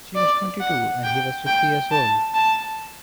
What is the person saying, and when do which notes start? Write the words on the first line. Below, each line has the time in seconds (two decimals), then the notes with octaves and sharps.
She was twenty-two and he was fifty years old.
0.16 D5
0.60 F#5
1.04 G5
1.47 G5
1.91 A5
2.34 A5